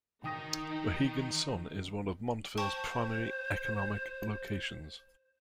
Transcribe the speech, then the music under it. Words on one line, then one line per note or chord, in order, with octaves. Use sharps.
Mohegan Sun is one of Montville's primary economic locations.
D#3 D#4 G5 D#6 A#6
C5 G5 A5 C#6